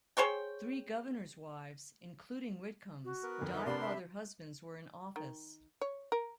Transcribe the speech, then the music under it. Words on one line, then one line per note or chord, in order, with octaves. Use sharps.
Three governors' wives, including Whitcomb's, died while their husbands were in office.
G#4 C5 C#5 G5
F#4
B3 A#4 B4
F2 D3
D#4 E5
C3 D4 D5 B5 C6
E5
D#3
C#5
A#4